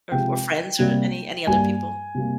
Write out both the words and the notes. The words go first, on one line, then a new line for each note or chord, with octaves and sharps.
or or friends, or any any other people?
C3 F3 G#3 G5
C3 G3 A#3
G2 G3 A#3 G#5
C3 G3 A#3